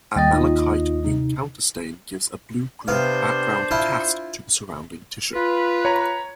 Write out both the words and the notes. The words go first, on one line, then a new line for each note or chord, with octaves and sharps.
A malachite green counterstain gives a blue-green background cast to the surrounding tissue.
D#2 G3 D#5 G5 A6
D#4 F4
C3 D#4
C3 B3 D4 C5 F5
E4 F4 A5
F4 B4
C#5 A#5 B5